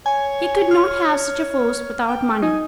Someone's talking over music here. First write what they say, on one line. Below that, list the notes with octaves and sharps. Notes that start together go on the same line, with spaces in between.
He could not have such a force without money.
C#5 G#5
F6
G5
D#4 G#5